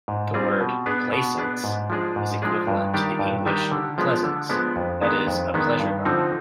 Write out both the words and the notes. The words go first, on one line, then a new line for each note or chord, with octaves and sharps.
The word "plaisance" is equivalent to the English "pleasance", that is a pleasure garden.
G#2
G3 C4 F4 G#4
B2
B3 D4 G#4
B2
B3 D4 G#4
G#2
F3 G#3 D4 G#4
G#2
F3 G#3 D4 G#4
G2
D#3 G3 D4 G4
G2
D#3 G3 D4 G4
D3
F3 G#3 B3 D4
D3
F3 G#3 B3 D4
F2
D#3 G#3 B3 D4
F2
D#3 G#3 B3 D4
G2
D3 F3 C4 D#4